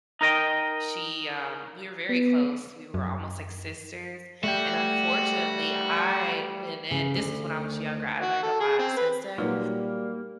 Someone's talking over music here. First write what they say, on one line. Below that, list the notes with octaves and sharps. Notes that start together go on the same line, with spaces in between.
she, um, we were very close, we were almost like sisters, and unfortunately, I and and this is when I was younger, I learned a lot since then.
D#4 A#4 D#5 G5
B3
F#2
G3 A3 F#4 G5
C#3
D2
F#4
A4
G#4
C4
B4
A#2 F#3 G3 A#3 D#4 A#4 B4